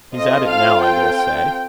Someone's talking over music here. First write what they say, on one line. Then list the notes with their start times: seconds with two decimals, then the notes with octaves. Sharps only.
He's at it now, I daresay.
0.15 C4 F4 A4 D#5
0.49 F5
0.83 G5